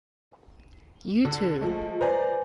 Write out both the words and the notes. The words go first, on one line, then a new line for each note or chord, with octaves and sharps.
You too.
D3
F3 G#3 A3
B4 C5 D5 G#5 A#5